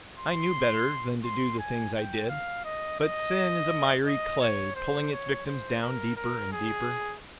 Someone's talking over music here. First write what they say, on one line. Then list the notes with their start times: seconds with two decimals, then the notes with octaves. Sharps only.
I knew better than to do the things I did, but sin is a miry clay pulling its victims down deeper and deeper.
0.18 C6
1.24 C6
1.59 G#5
1.94 G5
2.29 F5
2.65 D#5
3.00 D#5
4.06 D#5
4.41 C#5
4.75 C5
5.12 C#5
5.46 C5
5.82 A#4
6.16 A#4
6.52 G#4